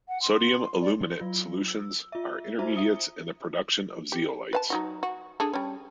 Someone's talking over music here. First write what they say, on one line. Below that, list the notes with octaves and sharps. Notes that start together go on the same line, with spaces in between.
Sodium aluminate solutions are intermediates in the production of zeolites.
F#5
C6
D5
F#3 F4
E6
F4 E5
D#4 F4 F#4 C5 E5 A#5
E5 D#6 C#7 G7
G4
B4 F5 A5
F#3 D#4 F#4
F#4
D4 G#4 A4
G3 C#4